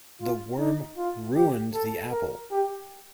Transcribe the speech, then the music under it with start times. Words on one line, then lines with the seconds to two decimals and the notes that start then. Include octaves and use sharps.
The worm ruined the apple.
0.21 F4
0.58 D#4
0.97 F4
1.35 G4
1.74 A4
2.12 A#4
2.51 G4